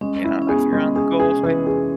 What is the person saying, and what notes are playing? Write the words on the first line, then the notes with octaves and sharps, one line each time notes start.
You know, if you're on The Gulf,
G#3 C#4
E4
C#4
B3 G#4
G#3
C#4 G#4
G#4
E3
G#4